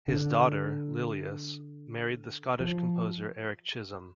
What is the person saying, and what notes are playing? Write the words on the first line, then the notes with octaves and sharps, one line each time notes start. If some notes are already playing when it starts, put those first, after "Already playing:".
His daughter, Lillias, married the Scottish composer Erik Chisholm.
D3
F3